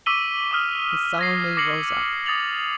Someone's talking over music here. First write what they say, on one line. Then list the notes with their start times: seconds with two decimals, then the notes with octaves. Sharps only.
He sullenly rose up.
0.06 C#6 D6 E6 B6 D#7 G7
0.51 D6 D#6 F6
1.19 G#6 A#6 C7
1.57 D6 A#6 C7 C#7 F#7
2.26 D#6 A6 F7 F#7